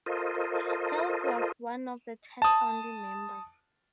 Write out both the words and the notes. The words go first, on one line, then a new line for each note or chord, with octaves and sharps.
Hales was one of the ten founding members.
F4 A4 A#4 C5 D#5
A5 D#6